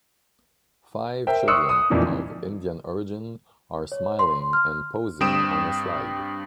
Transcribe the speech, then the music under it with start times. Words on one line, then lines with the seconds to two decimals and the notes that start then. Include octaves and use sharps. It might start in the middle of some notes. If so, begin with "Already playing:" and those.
Five children of Indian origin are smiling and posing on a slide.
1.27 A#4 C5 E5 G5
1.48 C6 C#6 D#6 E6 F#6 C#7
1.69 D#6
1.90 F2 A#2 E3 A#3 D4 D#4
3.92 C#5
4.19 C6
4.53 F6
5.21 G2 C4 G5 D#6 D7 E7